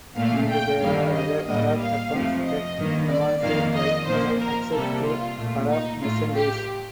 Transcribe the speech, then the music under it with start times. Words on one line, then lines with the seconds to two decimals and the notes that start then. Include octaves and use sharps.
And there are other Arab accounts that demonstrate Vikings had access to Arab merchandise.
0.17 A#2 A3 F5
0.49 G5
0.82 G2 D#3 G3 A#3 F5
1.14 D#5
1.47 A2 G3 A#3 D#5
1.79 F5
2.12 F2 C3 F3 A3
2.44 D#5
2.77 G2 D#3 A#3
3.09 D5
3.42 F2 D#3 A#3 F5
3.75 D#5
4.07 A#2 F3 A#3 C5
4.40 A#4
4.72 C3 G3 A#3 A4
5.05 F4
5.37 A#2 A3
5.69 D#4
6.02 A2 A3 F4
6.35 G4